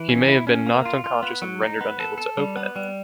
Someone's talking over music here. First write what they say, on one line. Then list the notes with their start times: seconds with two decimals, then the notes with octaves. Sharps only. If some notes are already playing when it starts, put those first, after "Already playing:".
He may have been knocked unconscious and rendered unable to open it.
Already playing: E3
0.09 C#4
0.28 E4
0.47 C#4
0.66 A#3
0.86 F4
1.04 F4
1.23 B3
1.42 F#3
1.62 D#4
1.81 B3
2.00 A4
2.18 A4
2.37 G3
2.56 B3
2.76 G3